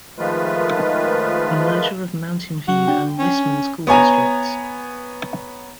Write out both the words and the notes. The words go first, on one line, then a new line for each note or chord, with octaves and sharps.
Merger of Mountain View and Whisman School Districts.
D#3 F3 G#3 A3 F4 B4
F#3 F#4
D4 G5
C#4
B3 C#5 G#5 A#5